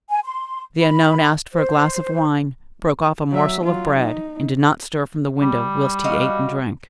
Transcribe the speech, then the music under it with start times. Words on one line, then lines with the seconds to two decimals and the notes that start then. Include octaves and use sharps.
The unknown asked for a glass of wine, broke off a morsel of bread, and did not stir from the window whilst he ate and drank.
0.10 G#5
0.25 C6
0.80 B5
1.54 C5
3.31 F#3 E5
3.64 F#3 F4
3.98 D#4
5.42 G3
6.04 F#4 D#5 F5